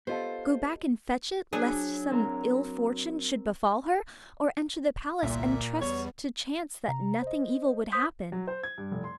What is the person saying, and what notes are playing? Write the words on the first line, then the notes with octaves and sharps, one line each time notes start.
Go back and fetch it, lest some ill-fortune should befall her, or enter the palace and trust to chance that nothing evil would happen?
B3 F4 G4 A4 C5 D#5
F#3 D4 G#4
C4 A#4 A#5
G1 C2 A#2 A#3 E5
E2 G3 B3 C#5
C3 A#5
C5 D#5
C5 C6 D#6 G6 B6
F#3
C5
G#6
G2
F1
C6